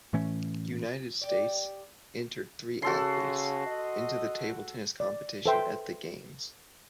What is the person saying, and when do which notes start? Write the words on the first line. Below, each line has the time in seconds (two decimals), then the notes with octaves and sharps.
United States entered three athletes into the table tennis competition at the games.
0.13 A2 E3 A3 C#4
1.21 G4 D5
2.82 C#3 F#4 A4 C6
3.66 D#5
5.00 D5
5.46 A4 B4 C5 E5 G5 C6